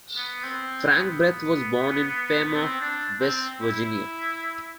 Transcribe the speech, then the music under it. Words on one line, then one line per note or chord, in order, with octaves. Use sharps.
Frank Breth was born in Fairmont, West Virginia.
B3
C4
B3
C4
D4
C4
C4
E4